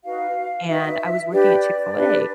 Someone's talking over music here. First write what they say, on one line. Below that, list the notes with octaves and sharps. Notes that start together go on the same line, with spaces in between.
and I was working at Chick-fil-A,
D#4 F#4 B4 F5
D#4 F#4 B4 E5
D4 G4 B4 D5
D4 G4 B4